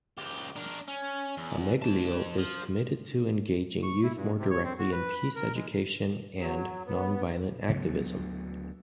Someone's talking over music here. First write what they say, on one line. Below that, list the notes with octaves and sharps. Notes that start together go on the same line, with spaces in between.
Ameglio is committed to engaging youth more directly in peace education and nonviolent activism.
C#2 G4
D4 A#4
C#4
E2
F2 A5
F3
C#6
E4
G2
C3
C#5
C4
F#4
B4
B5
A#4
G#3
F#3
B3
D2 C#3 F#3 B3